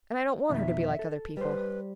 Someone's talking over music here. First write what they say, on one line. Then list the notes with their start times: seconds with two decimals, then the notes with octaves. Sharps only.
And I don't want her to be like other people.
0.49 F2 B2 D#3 E5
0.99 A4
1.37 G3 B4 C5